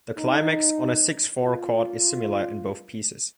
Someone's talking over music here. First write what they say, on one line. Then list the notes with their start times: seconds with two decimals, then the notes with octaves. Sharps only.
The climax on a six-four chord is similar in both pieces.
0.18 D#4
1.44 F4